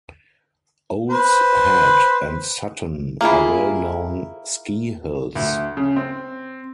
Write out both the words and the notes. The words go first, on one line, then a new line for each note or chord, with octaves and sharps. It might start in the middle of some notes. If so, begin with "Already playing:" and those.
Owl's Head and Sutton are well-known ski hills.
B4 C5
A#3 E4 F4 G#4 A#4
D2
C#3
C4